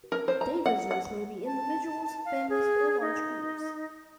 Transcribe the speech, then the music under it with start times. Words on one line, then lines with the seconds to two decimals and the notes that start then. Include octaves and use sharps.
Day visitors may be individuals, families, or large groups.
0.12 A#4
0.28 C5
0.41 A#5
0.66 F#5
0.91 F#5
1.46 A5
2.25 F5
2.49 G#4
3.02 D#4